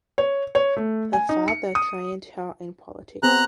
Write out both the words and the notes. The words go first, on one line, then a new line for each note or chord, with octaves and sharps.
Her father trained her in politics.
C#5
C#5
A3
G#5
D#4
C#7
D#6
B3 C4 G#4 A#5 F#6